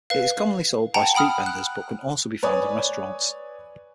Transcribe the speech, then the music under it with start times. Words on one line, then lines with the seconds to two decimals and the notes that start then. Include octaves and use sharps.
It is commonly sold by street vendors but can also be found in restaurants.
0.10 B4 F5
0.94 F#5 G5 A5 A#5
1.14 F#5 G5 B5 D#6 F6
1.46 F#6
2.43 B4 C#5 D5 G#5 D#6